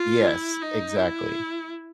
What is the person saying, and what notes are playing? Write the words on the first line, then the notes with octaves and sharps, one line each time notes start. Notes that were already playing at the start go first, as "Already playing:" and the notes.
Yes, exactly.
Already playing: F4
E4
D#4
E4